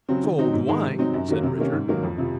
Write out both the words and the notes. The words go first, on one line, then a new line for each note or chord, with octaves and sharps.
"So do I," said Richard.
C#3 F#3 C4
D#3
F#3 C4 D#4
G#2
D#3 G#3
C3
F#3 C4 D#4
F#2
D#3 F#3 A#3
C3
D#3 A#3 C#4
G#2
D#3 F#3 A#3
F2
C3 F3